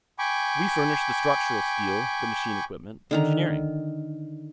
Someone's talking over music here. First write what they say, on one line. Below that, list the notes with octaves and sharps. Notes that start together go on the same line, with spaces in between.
We furnish the structural steel, the machine-equipment, the engineering.
G5 G#5 B5 C#6 D6
D3 D#3 A#5